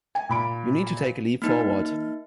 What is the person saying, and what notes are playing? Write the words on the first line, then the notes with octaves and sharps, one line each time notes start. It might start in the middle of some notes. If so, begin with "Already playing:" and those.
You need to take a leap forward.
G#5
A#2 B5 D7
A#3 D#4 F6